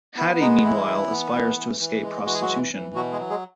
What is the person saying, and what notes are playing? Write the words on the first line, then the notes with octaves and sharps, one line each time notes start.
Hattie, meanwhile, aspires to escape prostitution.
B3 E4
G#3 D#4
E3 E4
E3
B3
E3
E3
E3
G#3
E3 F#4
G#4
F#3 F#4
E3
E3
B2 F#3 F#4
G#3 G#4
F#3
G#3 G#4